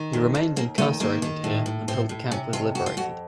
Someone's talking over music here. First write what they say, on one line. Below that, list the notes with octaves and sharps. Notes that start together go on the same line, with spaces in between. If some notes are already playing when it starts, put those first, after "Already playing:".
He remained incarcerated here until the camp was liberated.
Already playing: D#3
F2
F2
D#2 A#3
D#3 A3
D#3 A#3
D#3
A2
A2
A2 C4
A2
C3 C#4
F2 F4
F2 F#4
F4
F2 F#4